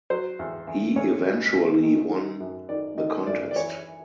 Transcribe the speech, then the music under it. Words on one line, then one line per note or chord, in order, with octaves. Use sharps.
He eventually won the contest.
F#3 C5
E2
E2
E2 C#5
B2
E2
D#3
D#3
F#2
D#3 D5
D#3 D#5
F#2 D5
D5
E3 C#5